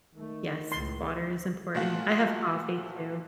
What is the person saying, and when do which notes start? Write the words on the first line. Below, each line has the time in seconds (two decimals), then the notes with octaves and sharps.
Yes, water is important. I have coffee, too.
0.15 D#3 A3
0.72 C#2 A2 C6
1.75 A#2 A3 F#4